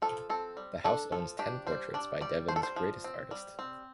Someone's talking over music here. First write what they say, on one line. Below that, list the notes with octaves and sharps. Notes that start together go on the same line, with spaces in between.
The house owns ten portraits by Devon's greatest artist.
F3 A4
C4 A4
G3
D4 A4
F3 A4
D4 G4
G3 C5
D4 D5
G3 D5
D4 C5
A4
C5
F3
C4
G3
C4